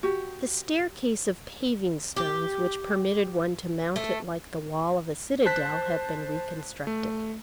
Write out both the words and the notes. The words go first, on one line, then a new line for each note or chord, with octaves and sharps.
The staircase of paving-stones which permitted one to mount it like the wall of a citadel had been reconstructed.
F#4 G4
G4
A3
C5 A5 F#6 B6
A3